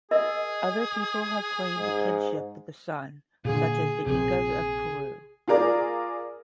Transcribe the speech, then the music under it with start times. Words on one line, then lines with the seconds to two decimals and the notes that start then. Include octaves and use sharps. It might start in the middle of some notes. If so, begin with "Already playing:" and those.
Other people have claimed kinship with the sun, such as the Incas of Peru.
0.11 G#4 A#4 D#5
1.79 G#2
3.45 A#2 D3 G#4
4.06 A#1 C3 G#4
5.48 F4 G#4 A#4 D5